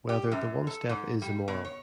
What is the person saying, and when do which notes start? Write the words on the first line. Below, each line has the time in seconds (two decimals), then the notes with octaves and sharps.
Whether the one-step is immoral?
0.09 G4
0.32 F#2
0.67 A4
0.89 G#2
1.22 G3
1.48 B2
1.65 C#5